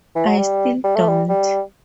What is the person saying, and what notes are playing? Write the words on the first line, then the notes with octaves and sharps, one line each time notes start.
I still don't.
E3
F#3
G3
G3
A3
G3
G3